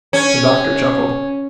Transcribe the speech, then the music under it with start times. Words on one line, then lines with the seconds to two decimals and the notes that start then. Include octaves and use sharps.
The Doctor chuckled.
0.13 C#4